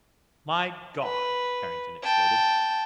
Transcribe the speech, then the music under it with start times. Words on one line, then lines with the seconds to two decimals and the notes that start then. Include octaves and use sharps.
"My God!" Harrington exploded.
1.03 B4
2.03 G5 A5